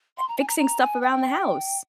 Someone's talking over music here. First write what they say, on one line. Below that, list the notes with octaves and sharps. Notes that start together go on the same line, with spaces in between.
e fixing stuff around the house
C6
A#5
G#5
A#5
A#5
G#5
G5